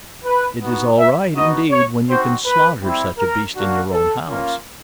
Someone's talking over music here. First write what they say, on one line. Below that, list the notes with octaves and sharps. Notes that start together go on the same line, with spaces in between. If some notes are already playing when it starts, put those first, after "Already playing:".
It is all right indeed when you can slaughter such a beast in your own house.
B4
B3 D#4 F#4
E5
B3 D#4 F#4 D#5
C#5
C4 D#4 F#4 C5
B4
G3 C4 E4
A#4
A#3 D4 F#4
A4
A#3 C#4 F4